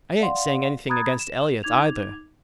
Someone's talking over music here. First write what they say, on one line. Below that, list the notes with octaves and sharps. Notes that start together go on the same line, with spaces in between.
I ain't saying anything against Elliott, either.
D5 F5 F#5 C6
A#5 B5 D#6 F#6 G#6 A6
E7
D#4 D6 G#6 F7